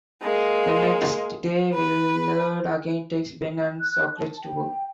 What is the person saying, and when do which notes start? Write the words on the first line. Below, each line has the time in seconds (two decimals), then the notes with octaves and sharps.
The next day Willard again takes Ben and Socrates to work.
0.22 G#3 A#3
1.74 B4
3.77 F#6
4.16 A5
4.41 G5